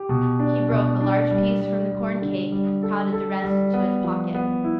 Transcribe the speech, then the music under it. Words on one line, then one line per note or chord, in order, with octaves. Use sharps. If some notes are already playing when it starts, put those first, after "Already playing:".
He broke a large piece from the corn-cake and crowded the rest into his pocket.
Already playing: G4
B2
D4
B2
D4
G3
G3
G3
D3
G3
A4
A4
G3
B3
F3
B3
E4